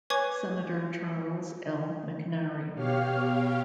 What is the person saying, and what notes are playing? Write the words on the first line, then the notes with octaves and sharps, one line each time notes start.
Senator Charles L. McNary.
B4 C#5 G#5 C#6 D6 G#6
B2 G4 C#5 F5 F6